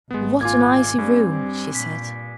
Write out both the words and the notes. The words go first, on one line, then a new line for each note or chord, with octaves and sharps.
'What an icy room!' she said.
G#1 G#3 B3
A#2 F4 G#5 D6 G#6
G2 G3 C4
A#2 B6